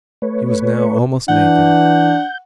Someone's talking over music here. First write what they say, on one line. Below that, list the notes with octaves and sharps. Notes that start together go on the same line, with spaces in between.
He was now almost naked.
A3 B4 C#5
E3 D4 F#5 G6